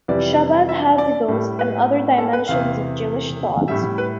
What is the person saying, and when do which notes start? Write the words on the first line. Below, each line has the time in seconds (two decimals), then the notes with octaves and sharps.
Chabad Hasidus and other dimensions of Jewish thought.
0.08 F2 C3 E3 G3 D5
0.69 E5
0.98 D5
1.28 A2 G3
1.59 B4
2.18 A4
2.33 B4
2.48 E2 C3 E3 F5
3.68 A2 G3 E5
3.98 B4